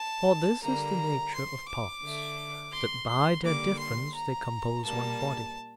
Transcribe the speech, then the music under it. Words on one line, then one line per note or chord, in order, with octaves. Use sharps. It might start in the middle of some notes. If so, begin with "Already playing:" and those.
For this is the nature of parts--that by their difference they compose one body.
Already playing: A5
D3 G3 A#3 A#5
C6
D6
D3 A3
C6
C6
D3 G3 A#3 D6
C6
A#5
A#2 G3 A#3 A5